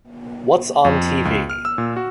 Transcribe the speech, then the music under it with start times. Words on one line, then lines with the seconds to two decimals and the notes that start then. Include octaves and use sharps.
What’s on T V?
0.85 F2
1.25 C#2
1.50 F6
1.65 E6
1.78 A#2
1.97 F#4